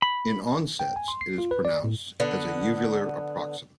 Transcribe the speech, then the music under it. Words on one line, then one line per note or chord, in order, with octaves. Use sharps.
In onsets, it is pronounced as a uvular approximant.
B5
G5
G#5
C6
C7
F4
B4
D5
A2
D3 B3